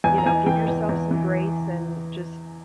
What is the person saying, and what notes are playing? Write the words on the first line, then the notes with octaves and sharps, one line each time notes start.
you know, give yourself some grace and just
E2 G#5
A#5
E3 G#5
E3 G5
E2
E2
E3